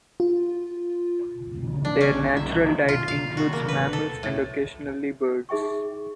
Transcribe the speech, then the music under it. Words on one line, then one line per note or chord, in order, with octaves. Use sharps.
Their natural diet includes mammals and occasionally birds.
F4
D4
C#4
E5
F4
F5
F#4
A#3
B4
A4
A2
D#4 G#4 E5 G5 C#6